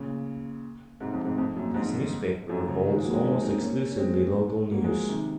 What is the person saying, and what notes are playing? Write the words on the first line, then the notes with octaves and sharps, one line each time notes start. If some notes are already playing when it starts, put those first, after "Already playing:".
This newspaper holds almost exclusively local news.
Already playing: A#2 C#3
G#2 C3
F2 G#2
G#2 C3
F2 G#2
F#2 A#2
F2 G#2
F#2
C#3 F3
D#3 F#3
F3 G#3
F#3 A#3
G#3 C4
A#3 C#4
C4 D#4
A#3 C#4
C#4
G#3 C4
F#3 A#3
F3 G#3
C3 D#3